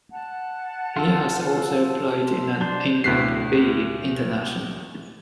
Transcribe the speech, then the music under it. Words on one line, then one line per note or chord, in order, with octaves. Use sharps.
He has also played in an England B international.
F#5 A5
F4 A4
D4 C5
D2 A2 F#6 B6 C7